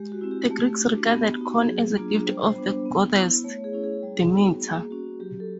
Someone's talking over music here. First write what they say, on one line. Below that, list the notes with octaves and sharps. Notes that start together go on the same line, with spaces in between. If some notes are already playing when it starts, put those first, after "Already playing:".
The Greeks regarded corn as a gift of the goddess Demeter.
Already playing: G#3 G4
F#4
C4 E4
G4
A3
D4 F#4
B3
D#4 F#4
F#3 G#4
A#3 D4 F4
G3 C5
C5
B3 D4
B3
E4
A3 C#5
G#4
C#4 E4
G#4
G3
B3 D#4 F#4
A#3
C#4 F#4
F#3 G4
A4